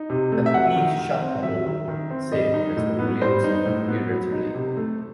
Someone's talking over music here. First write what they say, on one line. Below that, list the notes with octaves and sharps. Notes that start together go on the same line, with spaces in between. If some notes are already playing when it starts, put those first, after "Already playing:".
And "Please shut that door," said Mr. Williamson, irritably.
Already playing: D#4
C3
A3
E5
F#3 F#5
D#3
D#3
C4
F#3 E5
D#3
D#3
C4
G3 D#5
D#4
A2
B3
G3 C5
D#4
A2
B3
F#3
D#4
C3
A3